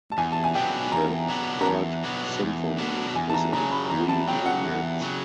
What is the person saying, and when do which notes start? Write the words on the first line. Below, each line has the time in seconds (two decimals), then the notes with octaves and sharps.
The Third Symphony is in three movements.
0.12 A5
0.18 E2 G#5
0.32 A5
0.44 G#5
0.55 B2 F#3 B3 D4 G5
0.92 E2 A#5
1.29 B2 F#3 B3 D4
1.61 A#5
1.66 E2 A5
2.04 B2 F#3 B3 D4
2.42 E2
2.78 B2 F#3 B3 D4
3.15 E2 G#5
3.29 A5
3.34 A#5
3.53 C#3 F#3 A#5
3.72 B5
3.90 E2 A#5
4.09 A5
4.28 C#3 F#3 G5
4.46 F#5
4.65 E2
5.01 C#3 F#3